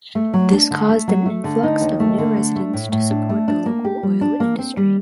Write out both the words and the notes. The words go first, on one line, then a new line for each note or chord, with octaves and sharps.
This caused an influx of new residents to support the local oil industry.
A3
F#3
D4
D3
A3
F#3
A3
D3
D#4
D#2
A3
D3
D4
A3
A2
A2
D4
A3
D4
A#3
G4
G3
D4
A#3
C4
G3